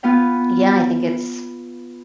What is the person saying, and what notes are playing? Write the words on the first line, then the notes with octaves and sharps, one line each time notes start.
yeah, I think it's
B3 F4 B4 F5 G5